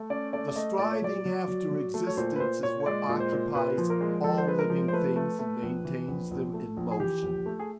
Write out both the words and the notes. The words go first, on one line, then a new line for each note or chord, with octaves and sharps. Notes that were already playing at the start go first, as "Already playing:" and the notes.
The striving after existence is what occupies all living things and maintains them in motion.
Already playing: A3
C#4 D5
A3 D5
D5
A3 D#5
A#2 D5
C#5
F#3 D5
F#3
F#3
F#3
A3
C#5
A#2 C5
B4
A#2 C5
A#2 C#5
C#5
G#3 D5
A#2
C5
A#2
A#2 B4
F3
A#4
G#3
F3 A4
C5
G#3 B4
A#4
F3
C5
A3 B4
A3
A3
A#1
E3
A#1
A#1
A3
A#1
G#4
E3 G4
A#1
A3
G#4